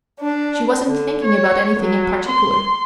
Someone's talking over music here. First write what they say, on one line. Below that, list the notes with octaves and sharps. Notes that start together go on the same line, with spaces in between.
She wasn't thinking about anything in particular.
D4
D3
C#5
F#3
C6